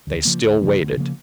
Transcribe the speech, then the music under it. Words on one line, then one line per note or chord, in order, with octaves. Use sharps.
They still waited.
D2
C#3 F3 A#3
D2
C#3 F3 A#3
D2
C#3 F3 A#3